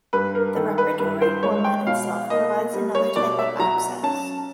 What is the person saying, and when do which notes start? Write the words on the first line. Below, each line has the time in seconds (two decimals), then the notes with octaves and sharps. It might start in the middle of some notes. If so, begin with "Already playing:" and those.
The repertory format itself provides another type of access.
0.13 G2 B4
0.35 A#4
0.56 D#3 A4
0.78 B4
0.99 G2 B4
1.22 C5
1.43 G#3 C#5
1.64 G5
1.87 B2 F5
2.30 A#3 D#5
2.73 G3
2.95 C#5
3.16 B2 D5
3.39 E5
3.59 F#3 A#5
4.03 C#4 A5